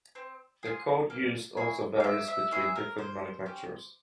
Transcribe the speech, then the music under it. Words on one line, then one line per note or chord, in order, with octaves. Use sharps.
The code used also varies between different manufacturers.
C4
F4 G#4
A#3
C#4 E4 G#4
F5
A#3 E5
E5
C#4 E4 G#4 E5
A#4
A#3 C5
C#4 G4